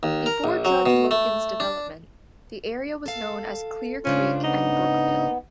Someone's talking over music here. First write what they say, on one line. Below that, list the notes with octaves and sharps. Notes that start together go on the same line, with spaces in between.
Before Judge Logan's development, the area was known as Clear Creek and Brookville.
D#2
A#4
A#1
F#3
B2
A3
D4
A4 F5
G#2 C#3 C#4 D4 F4
B3 D#4